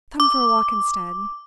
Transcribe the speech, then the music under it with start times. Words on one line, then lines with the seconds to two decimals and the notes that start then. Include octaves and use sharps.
'Come for a walk instead.
0.20 D6